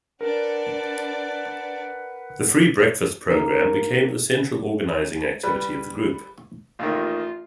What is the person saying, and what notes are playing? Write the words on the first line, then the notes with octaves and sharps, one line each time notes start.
The Free Breakfast Program became the central organizing activity of the group.
D4 A#4 B4 D5 F#5
A#3 D#4
G3 B4
A1 D#2 D#3 F4